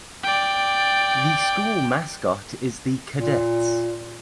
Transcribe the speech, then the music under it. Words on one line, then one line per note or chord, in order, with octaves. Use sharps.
The school mascot is the Cadets.
D5 G5
A#2